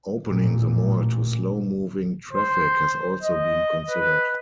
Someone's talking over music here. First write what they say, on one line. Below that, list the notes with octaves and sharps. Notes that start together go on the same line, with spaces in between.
Opening the mall to slow moving traffic has also been considered.
A1 A#2
C5
D#5
B4